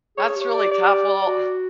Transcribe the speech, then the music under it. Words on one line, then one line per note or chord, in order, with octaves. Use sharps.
that's really tough. Well,
G#4 C#5
C#5
G4
C#5
D5
D5
F#4